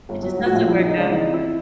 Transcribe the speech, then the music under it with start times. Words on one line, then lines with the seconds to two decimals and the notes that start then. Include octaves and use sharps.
it just doesn't work out.
0.09 G1
0.23 F#3
0.34 F#4
0.38 A2
0.46 F#4
0.53 A#1 F4
0.68 F3 E4
0.78 D#4
0.82 C#3
0.89 D#4
0.97 C#2 D4
1.11 E3 D#4
1.27 C3
1.34 E4